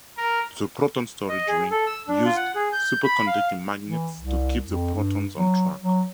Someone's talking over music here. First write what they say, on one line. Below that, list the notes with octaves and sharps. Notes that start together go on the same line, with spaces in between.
The proton storage ring used superconducting magnets to keep the protons on track.
A#4
D#5
G#4
A4
E6
D4
F4
F#5
G#4
G6
B5
F5
E3
C2
F2
G2
F#3
F#3